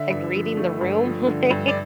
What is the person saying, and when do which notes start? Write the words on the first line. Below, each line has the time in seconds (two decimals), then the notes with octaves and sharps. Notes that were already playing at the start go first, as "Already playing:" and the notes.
like, reading the room, like,
Already playing: D3 E5
0.10 G2
0.34 F3
0.57 A3
0.81 G2
1.04 F3
1.27 D3
1.50 G2
1.68 D5